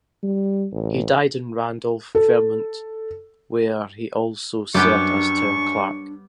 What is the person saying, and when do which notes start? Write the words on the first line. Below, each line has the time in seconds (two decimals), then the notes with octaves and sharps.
He died in Randolph, Vermont, where he also served as town clerk.
0.23 G3
0.72 A1
2.15 A4
4.75 F#2 G3 B3 D4 G4 C#6